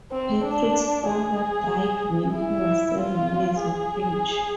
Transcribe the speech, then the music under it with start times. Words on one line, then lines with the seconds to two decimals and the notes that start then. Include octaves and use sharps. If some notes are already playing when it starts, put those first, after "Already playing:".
Patrick's father died when he was seven years of age.
0.12 C4
0.44 D4
1.07 G#4
2.34 E4
2.98 F4
3.61 G#4